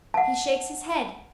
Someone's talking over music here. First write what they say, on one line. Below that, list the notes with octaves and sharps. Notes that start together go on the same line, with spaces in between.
'He shakes his head!
F#5 A5